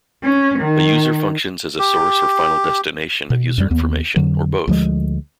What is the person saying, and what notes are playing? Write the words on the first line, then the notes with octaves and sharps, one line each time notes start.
A user functions as a source or final destination of user information, or both.
C#4
D#3
G4
B2
F#2 G3
D#2 B3
F2 D3 F#3
D2 F3 G#3